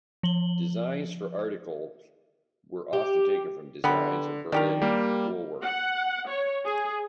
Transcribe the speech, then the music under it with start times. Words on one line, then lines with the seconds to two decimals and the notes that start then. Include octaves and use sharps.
Designs for articles were often taken from designs of Berlin wool work.
0.23 F3 F#7 G7
2.93 G4
3.84 D3 B3 G4 B5
4.52 D#3 D4 G4 A#4
4.82 G3 A#3
5.63 F#5
6.28 C#5
6.65 G#4